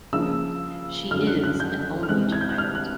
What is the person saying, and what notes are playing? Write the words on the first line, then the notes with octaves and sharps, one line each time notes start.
She is an only child.
C#3 F3 A#3 E6
F#2 D3 F#3 F6
F#6
F#6
G6
F6
C3 E3 G#3 F#6
G#6
G6
F#6
F6
F#6